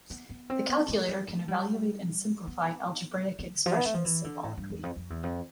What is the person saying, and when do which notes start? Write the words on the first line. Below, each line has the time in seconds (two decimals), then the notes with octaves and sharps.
The calculator can evaluate and simplify algebraic expressions symbolically.
0.10 B3
0.29 B3
0.50 C4
0.69 B3
0.88 A3
1.08 G3
1.28 A3
1.48 G3
2.47 B3
3.39 B3
3.52 D3
3.66 F3
3.76 B3
3.85 A3
3.94 F3
4.05 E3
4.24 D3
4.44 A2
4.57 G2
4.70 E2
4.83 F2
4.96 F2
5.10 E2
5.23 F2